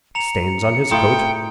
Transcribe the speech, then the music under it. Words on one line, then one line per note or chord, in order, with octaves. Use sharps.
Stains on his coat.
A#5 C#7 F7
A2 E4 F4 G5 A#5 C6 D#6